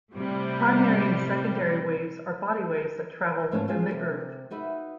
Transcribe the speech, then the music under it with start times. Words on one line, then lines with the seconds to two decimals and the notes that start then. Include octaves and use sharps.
Primary and secondary waves are body waves that travel within the Earth.
0.14 A2 C3 G3
3.51 G#2 A3 C#4 F4 F5 A5
3.68 F3 G#3 F4
3.89 D#2 C3
4.51 D#4 F#4 B4 E5